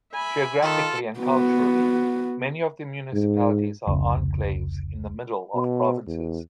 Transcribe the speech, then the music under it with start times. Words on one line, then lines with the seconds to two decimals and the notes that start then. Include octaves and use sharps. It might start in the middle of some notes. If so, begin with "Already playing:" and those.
Geographically and culturally, many of the municipalities are enclaves in the middle of provinces.
0.14 E5 G#5 B5
0.63 D#3 F4 A4
1.19 B3 F#4
3.13 G#2
3.87 F1 C#2 C#3
5.55 B2
6.07 E2